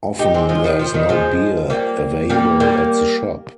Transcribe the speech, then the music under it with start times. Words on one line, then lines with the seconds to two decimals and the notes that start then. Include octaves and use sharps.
Often there is no beer available at the shop.
0.19 D#4 G4
0.34 G#3 C4
0.49 F3 G#3
0.64 D#3 G3
0.80 F3
0.94 D#3 G3
1.09 F3 G#3
1.70 G3 A#3
2.30 G3 A#3
2.60 G3 A#3